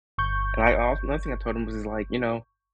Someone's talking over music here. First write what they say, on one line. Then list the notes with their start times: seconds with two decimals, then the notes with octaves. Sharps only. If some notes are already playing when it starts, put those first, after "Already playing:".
and I also nothing, I told him, was just, like, "You know,
0.18 G1 C#6 G6